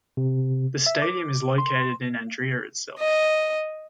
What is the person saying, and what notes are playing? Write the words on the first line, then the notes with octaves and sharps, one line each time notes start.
The stadium is located in Andria itself.
C3
E5
D6
C6
D#5